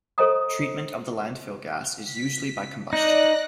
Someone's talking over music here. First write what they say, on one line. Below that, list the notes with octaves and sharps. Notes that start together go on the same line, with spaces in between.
Treatment of the landfill gas is usually by combustion.
A4 C5 D#5 A#5 D#6
B6
D#4 D5 F#6 A#6